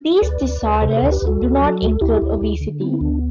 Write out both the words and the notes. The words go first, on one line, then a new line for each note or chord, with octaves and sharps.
These disorders do not include obesity.
D2 B4 D5
D2
D2
C3 A4 C5
A4 C5
D2
G4 B4
D2 F#4 A4
D2
F#3
D2
A4
D2 E4 G4
D2
D2
D3
B3 C4 E4
E4
D2 D4